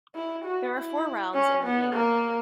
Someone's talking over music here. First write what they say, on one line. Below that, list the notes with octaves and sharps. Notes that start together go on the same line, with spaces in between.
There are four rounds in the game.
E4
F#4
E4
C#4
B3
A#3